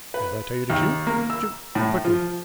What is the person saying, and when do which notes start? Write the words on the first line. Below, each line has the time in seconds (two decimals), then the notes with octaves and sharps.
If I tell you to shoot--shoot, and quickly.
0.14 B4
0.70 D#2
1.07 A#3
1.30 E6
1.75 A2
2.05 F3